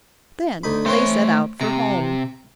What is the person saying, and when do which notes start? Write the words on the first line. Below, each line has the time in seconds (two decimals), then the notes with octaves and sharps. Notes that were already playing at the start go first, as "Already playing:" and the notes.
Then they set out for home.
0.63 D2 D#4 B5
0.86 A3 C4 B4 C#5 C6
1.61 C3 A#5